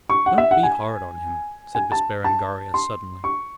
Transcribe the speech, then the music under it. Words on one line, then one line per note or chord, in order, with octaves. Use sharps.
"Don't be hard on him," said Miss Berengaria, suddenly.
C#6
F#5
E5
F#5
G#5
G#5
A5
A5
C6
C#6